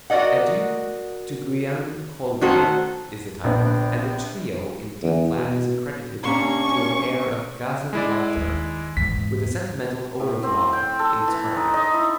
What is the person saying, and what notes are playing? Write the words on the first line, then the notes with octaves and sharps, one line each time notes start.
Adieu to Guillaume Kolberg, is the title, and the Trio in D flat is accredited to an air of "Gazza Ladra," with a sentimental Au Revoir inscribed.
F#4 A#4 D5 D#5 F#5
D#3 A3 C#4 F#4 A4 C5
A#1 B3 D4
E2
B2
C3 A#3 C#4 D4 C#6
G#3 E4 D5
D#2 D#3
E2 G#2 B6
A2
C4
G5
A4
E3
D#4
D#5
E4